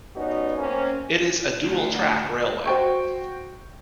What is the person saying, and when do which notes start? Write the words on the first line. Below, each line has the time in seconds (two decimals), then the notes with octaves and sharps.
It is a dual-track railway.
0.16 G3 B3 C#4 D#4 F#4
0.58 A#3 C4 C#4
1.64 D2
2.66 F#4 C5 G5 C#6